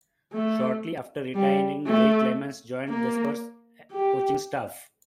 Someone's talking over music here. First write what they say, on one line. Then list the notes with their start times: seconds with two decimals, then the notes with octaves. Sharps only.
Shortly after retiring Ray Clemence joined the Spurs coaching staff.
0.32 A3
1.35 G3
1.86 A3
2.89 A#3
3.91 G4